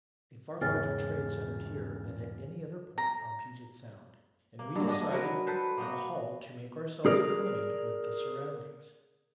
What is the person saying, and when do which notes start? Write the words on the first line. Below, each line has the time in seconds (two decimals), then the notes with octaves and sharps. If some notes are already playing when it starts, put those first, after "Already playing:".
A far larger trade centered here than at any other point on Puget Sound, and we decided on a halt to make ourselves acquainted with the surroundings.
0.61 E2 G#2 C#3 C4 G#5 F6 A6
2.98 A#5
4.59 A#3
4.76 G2 F#3
4.87 G#3 D4 D#5
5.11 F#3 F#4 A#4 B4
5.47 A4 B4 C5
5.78 A#3 B3 F#4
7.06 G#4 A#4 D5